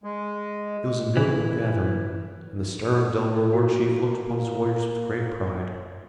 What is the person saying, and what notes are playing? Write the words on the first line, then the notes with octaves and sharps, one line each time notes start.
It was a notable gathering, and the stern Delaware war-chief looked upon his warriors with great pride.
G#3
E3
A#3 F#4